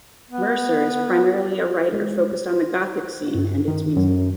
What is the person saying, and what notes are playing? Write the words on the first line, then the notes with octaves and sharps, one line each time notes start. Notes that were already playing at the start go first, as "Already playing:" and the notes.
Mercer is primarily a writer focused on the gothic scene and its music.
B3
G#3
C5
G2
D#3
F#2